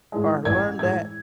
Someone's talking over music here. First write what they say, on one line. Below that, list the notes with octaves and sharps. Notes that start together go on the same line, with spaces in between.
or learned that
A2 E3 G#3
A1 G#6
A2 E3 G#3 G#6